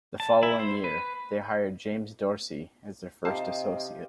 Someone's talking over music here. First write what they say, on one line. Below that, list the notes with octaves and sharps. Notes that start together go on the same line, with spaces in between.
The following year, they hired James Dorsey as their first associate.
A5
E4
C5
B4
C3 D#4 F4 G4 C5 D#5 F5 A5